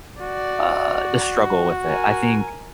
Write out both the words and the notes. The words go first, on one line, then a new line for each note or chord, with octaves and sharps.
uh the struggle with it. I think
F#4 D5
A#4 G#5